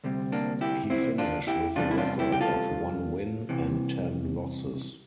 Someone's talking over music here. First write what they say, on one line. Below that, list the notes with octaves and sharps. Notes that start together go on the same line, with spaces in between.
He finished with a record of one win and ten losses.
D2 C3 G3
A#3 D4
E4 G4
C4 E4
D4 F4
E4 G4
E2 C3 E3 G3 D4 F4
E4
D4 F4
E4 G4
G4
F4 A4
C2 C3 E3